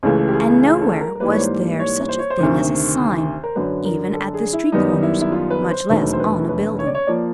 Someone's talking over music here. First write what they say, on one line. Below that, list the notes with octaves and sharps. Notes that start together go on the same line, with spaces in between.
And nowhere was there such a thing as a sign, even at the street corners, much less on a building.
C#2 C#3 E3 A3 G#4
G4
G#4
G#4
A4
A#4
A#4
G#2 E3 G3 A#3 B4
C#5
C5
C#5
C5
C#5
C5
D2 C3 D#3
A#4
F#2 D3 F#3 B4
A#4
A4
G#4
E4
F#2 D#3 G3 B3 D#4
E4
E4
F4
B4
C5
E1 D#2 D#3 F#3 A3 B4
C5
B4
B4
C#5
D5
C#5
F3 A#3 D5